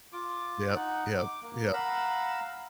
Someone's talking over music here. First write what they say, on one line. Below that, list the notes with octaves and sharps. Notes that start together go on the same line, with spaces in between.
Yep, yep, yep.
F4 D6
D#4 F#5
D6
A#3
F5 F#5 A#5 B5 E6